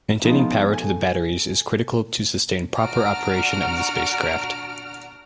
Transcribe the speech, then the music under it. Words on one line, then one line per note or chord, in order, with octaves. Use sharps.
Maintaining power to the batteries is critical to sustain proper operation of the spacecraft.
F3 G#3 B3 D#4 F4
A4 G#5
D4 F#4 A#5 F6 D7